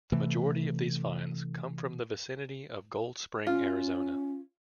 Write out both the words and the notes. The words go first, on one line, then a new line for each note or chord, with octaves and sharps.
The majority of these finds come from the vicinity of Gold Spring, Arizona.
C3 E3 A3
C#4 F4